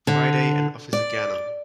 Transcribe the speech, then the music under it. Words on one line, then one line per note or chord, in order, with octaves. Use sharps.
Friday and Officer Gannon.
D3
D5